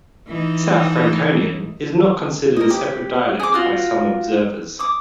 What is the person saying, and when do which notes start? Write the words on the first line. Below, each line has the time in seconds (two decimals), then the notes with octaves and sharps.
South Franconian is not considered a separate dialect by some observers.
0.27 E3 D#4
2.56 A#4 D#5
2.70 G4
3.40 G#4 D6
3.54 F4 F#4
4.79 D6 D#6